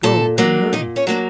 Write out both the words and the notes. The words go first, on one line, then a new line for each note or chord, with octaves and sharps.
Go, and hurry.
A#2 A4 A5
F#3 A#3 D4
A#2 D#4 D#5
C#4 C#5
F#3 A#3 D4